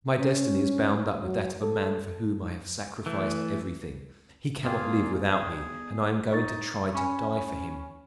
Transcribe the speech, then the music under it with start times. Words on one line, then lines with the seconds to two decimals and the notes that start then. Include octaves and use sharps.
My destiny is bound up with that of a man for whom I have sacrificed everything; he can not live without me and I am going to try to die for him.
0.20 C#4
1.22 F#3
1.61 A4
3.06 E3 A3
4.64 G1 A#3 F4 G#4 G5
5.31 G#4
6.32 D#4 C#6 A6
6.95 C#4 G#5 B5 C#6